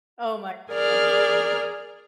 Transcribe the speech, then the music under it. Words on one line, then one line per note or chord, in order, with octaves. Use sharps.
Oh my ness.
G#4 A#4 D5 F6